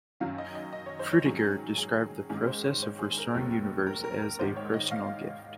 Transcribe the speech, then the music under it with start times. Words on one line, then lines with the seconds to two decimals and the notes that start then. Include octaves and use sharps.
Frutiger described the process of restoring Univers as a personal gift.
0.20 F#2 D#3 F#3 C#4 F5
0.38 D#5
0.55 D#5
0.73 D#5
0.86 C#5
0.99 C5
1.12 C#5
1.25 G#2 D#3 F#3 C#4 G#4
1.77 G#4
2.29 G#2 D#3 G#3 C#4 G#4
2.47 C5
2.64 C#5
2.82 C5
2.99 G#4
3.17 A#4
3.34 F1 D#2 C#3 F#3 C4
3.87 A#4
4.04 A#4
4.21 A#4
4.39 G#1 G#2 D#3 C5
4.56 C#5
4.74 D#5
4.91 F5